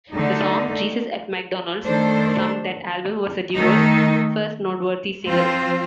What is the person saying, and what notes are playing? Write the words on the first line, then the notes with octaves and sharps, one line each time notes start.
The song "Jesus at McDonald's" from that album was the duo's first noteworthy single.
D3 A3 D#4
D#3 A3 D4 A4 C5
D#3 A3 D#4
F3 C4 F4 C5